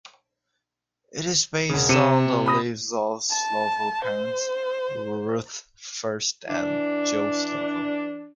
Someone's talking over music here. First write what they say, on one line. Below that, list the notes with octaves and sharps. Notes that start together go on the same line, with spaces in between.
It is based on the lives of Slovo's parents, Ruth First and Joe Slovo.
E1 C#3
C3 C#7 D#7 E7
B5 D#6 A#6
A5
C5
E3 D4